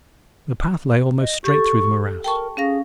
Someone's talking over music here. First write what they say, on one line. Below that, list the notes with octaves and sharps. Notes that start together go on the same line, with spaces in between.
The path lay almost straight through the morass.
D#5
G4 A4 C#6
A#4 G5 A5 C#6
C#4 G#4 F5 A#6